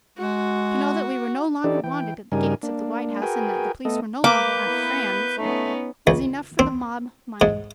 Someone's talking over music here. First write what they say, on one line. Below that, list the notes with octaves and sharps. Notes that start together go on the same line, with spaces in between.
To know that we were no longer wanted at the gates of the White House and that the police were no longer our "friends" was enough for the mob mind.
G#3 F#4
E3 D4 D#4 G4 A4 D5
E3 G5
G2 C#3 G3 D#4 A#4 G#5
A#3 D4
F#4 G#4 A#4 B4 G5 G#5
A3 B3 A4 D#5
A#3 B4 D6 G6
B3 E4
A3 B3 C#4 D#4
C#2
C4
G#2